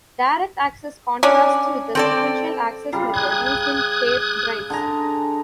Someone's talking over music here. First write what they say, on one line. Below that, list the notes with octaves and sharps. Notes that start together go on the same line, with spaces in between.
Direct access contrasts with the sequential access method used in tape drives.
C#4 D4
C4 A4 D5
C#3 G3 F4 A#5
D#6 F#6 G#6
D3 G#4 A#5